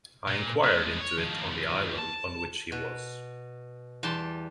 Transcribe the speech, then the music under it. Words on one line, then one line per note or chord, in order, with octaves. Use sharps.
I inquired into it on the island on which he was.
A#2
A2 G#3
C#5
D#3 F3
A5
B2
E2 G3 G5 A5 C6